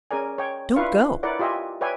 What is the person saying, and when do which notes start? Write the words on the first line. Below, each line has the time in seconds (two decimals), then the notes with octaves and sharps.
Don't go.
0.11 C#4 G#4 A#4 D5 G#5
0.38 C#5 D#5 G5
0.76 D4 E4 F4 B4 F5 C#6
1.23 E4 A#4 B4 C#5 D5 F#5
1.39 F4 G4 D#5 E5 G#5
1.81 B4 C#5 D5 E5 G5 G#5